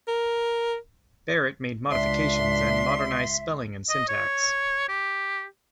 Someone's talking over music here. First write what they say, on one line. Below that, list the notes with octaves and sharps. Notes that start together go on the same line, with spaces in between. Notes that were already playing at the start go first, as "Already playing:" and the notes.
Barrett made modifications and modernized spelling and syntax.
A#4
C#2 D4 E5 C6
D#5
C#5
G4